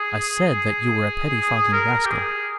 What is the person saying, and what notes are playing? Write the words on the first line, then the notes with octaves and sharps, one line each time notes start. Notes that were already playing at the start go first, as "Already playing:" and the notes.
I said that you were a pettifogging rascal.
Already playing: G#4
A#4
G4
G#4